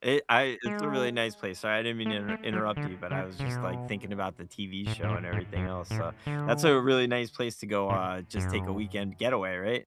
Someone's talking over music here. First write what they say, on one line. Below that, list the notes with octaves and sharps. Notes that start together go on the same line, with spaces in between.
It I it's a really nice place. Sorry, I didn't mean to inter interrupt you, but I was just, like, thinking about the TV show and everything else, so that's a really nice place to go, uh, just take a weekend getaway, right?
G#3
A3
A3
F#3
D3
C#3
C#3
B2
A2
G#2
A2
G#2
F#2
A2
D3
A2
F#2